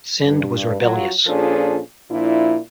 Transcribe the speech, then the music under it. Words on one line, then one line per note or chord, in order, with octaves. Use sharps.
Sindh was rebellious.
G2
F#3 F4
A#2 F3 C#4 D4 G#4 A4
A#2 F3 D4 E4